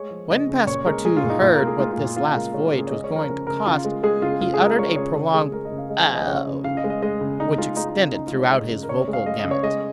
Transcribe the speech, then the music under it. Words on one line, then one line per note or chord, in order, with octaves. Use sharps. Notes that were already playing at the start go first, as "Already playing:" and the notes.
When Passepartout heard what this last voyage was going to cost, he uttered a prolonged "Oh!" which extended throughout his vocal gamut.
Already playing: G#3 C#5
F3
C#3 D#5
C#3
A#2 C#5
G#3 A#4
G#3 G#4
F4
A#2
D#4
A#2 F4
A#4
G#3
G#4
G#3 F4
F4
A#2
F4
C#3 F4
G#3 A#4
G#3 C#5
A#4
C#3
G#4
C#5
G#3 D#5
C#5
F3
A#4
C#3 A#4
C#3 A#4
C#3 F4
G#3
G#3 G#4
C#3 F4
C#3 F4
G#4
G#3
A#4
G#3 C#5
C#3 C#5
C#3 C#5
G#3 G#4
G#3 A#4
D#5
C#3
F5
G#3 D#5
F5
F3
D#5
C#3 C#5
C#3
C#3 F5
D#5
G#3
D#5
G#3 D#5
C#3
C#3 D#4
G#3 F4
G#3 D#4
D#4
C#3
C#3 D#4
F4
G#3
C#5
G#3 D#5
C#3
A#4
C#3 C#5
C#5
G#3
F5
G#3 D#5
D#5
C#3
C#5
G#3 D#5